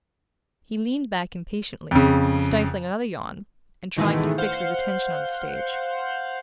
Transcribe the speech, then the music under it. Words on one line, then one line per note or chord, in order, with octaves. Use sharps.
He leaned back impatiently, stifling another yawn, and trying to fix his attention on the stage.
F2 C#3
G#2 B2 D#3 E3 G#3 A3
C5 F5 F#5 G6